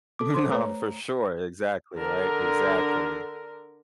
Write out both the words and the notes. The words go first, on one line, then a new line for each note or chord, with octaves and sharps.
No, for sure, exactly, right, exactly.
A4 D6
C5 C6
A3 B4 C#5 A#5
D3 A#4